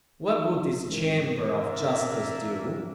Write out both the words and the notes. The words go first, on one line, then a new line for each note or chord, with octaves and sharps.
"What would this chamber of justice do?"
D#4
G#2 E3 C4 A#4
A#3 D4 E5